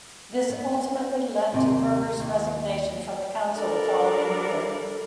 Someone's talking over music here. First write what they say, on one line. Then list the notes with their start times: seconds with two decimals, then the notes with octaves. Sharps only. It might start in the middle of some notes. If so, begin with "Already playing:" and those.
This ultimately led to Berger's resignation from the Council the following year.
0.50 B3
1.53 D#2 C3 D5
2.19 D#2
3.52 G3 D4 A4 A#4 D5